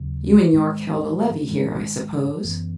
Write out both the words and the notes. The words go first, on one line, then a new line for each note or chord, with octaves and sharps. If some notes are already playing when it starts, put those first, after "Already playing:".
You and Yorke held a levee here, I suppose?
Already playing: D#2 C#3 F#3
G#2 D#3 G#3
G#2 D#3 G#3
F#2 E3 B3